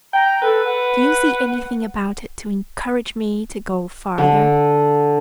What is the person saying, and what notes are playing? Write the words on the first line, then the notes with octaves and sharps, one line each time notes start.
"Do you see anything about it to ENCOURAGE me to go farther?"
G5 A#5
A4 B4
F#5
D3